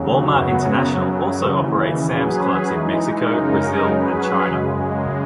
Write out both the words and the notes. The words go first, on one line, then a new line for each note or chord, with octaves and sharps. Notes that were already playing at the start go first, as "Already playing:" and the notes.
Walmart International also operates Sam's Clubs in Mexico, Brazil, and China.
Already playing: D#2 C#3 F#3
F#2 C#3 F#3 B3 F#4
F#2 C#3 F#3
D#2 C#3 E3
F#3 C#4 G#4 B4
E3 G#3 D#4
F#2 C#3 G#3 D#4 A#4
F#3 C#4 G#4 B4
F#2 C#3 G#3